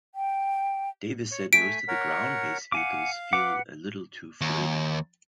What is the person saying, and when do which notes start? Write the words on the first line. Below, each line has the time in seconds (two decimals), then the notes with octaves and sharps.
Davis said most of the ground-based vehicles feel a little too floaty.
0.15 G5
1.31 C#5
1.53 A3 G#5 B6 D7
1.88 A#4 C#5 F#5
2.72 F5 F#5 G#5 D6
3.33 B4 F#5 D6
4.41 D#2